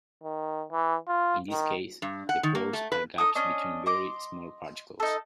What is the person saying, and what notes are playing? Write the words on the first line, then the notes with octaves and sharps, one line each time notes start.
In this case the pores are gaps between very small particles.
D#3
E3
F4
D#3
G2
F#5
D#3
A#3
A3
B4
D#4 A4 D#6
C#4 D4 D#5
D#5 C6 D6
D#4 A4